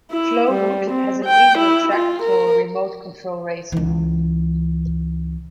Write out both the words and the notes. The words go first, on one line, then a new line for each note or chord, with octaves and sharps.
Flowood has an indoor track for remote control racing.
E4
G3
C4
G5
E4
F4
A#4
C#2 E3